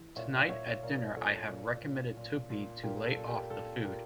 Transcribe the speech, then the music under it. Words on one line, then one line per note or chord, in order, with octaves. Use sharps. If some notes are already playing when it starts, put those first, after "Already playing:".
Tonight at dinner I have recommended Tuppy to lay off the food.
Already playing: E3
A#2 C#5 E5
D5 F5
A#2 C#5 E5
C#5 E5
A#2 A#4 D5
A#2 A4 C#5
A#2
A#2
A#2
A#2
A#2 G4 A#4
A4
A#2
G4 A#4
A#2 A4
A#2 G4 A#4